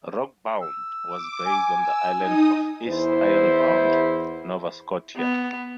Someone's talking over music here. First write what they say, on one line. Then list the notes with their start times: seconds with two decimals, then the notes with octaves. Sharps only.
"Rockbound" was based on the island of East Ironbound, Nova Scotia.
0.62 E6
1.09 D6
1.46 G#5
1.80 E6
2.17 D#4 D#6
2.89 E2 E4 C5
5.16 B3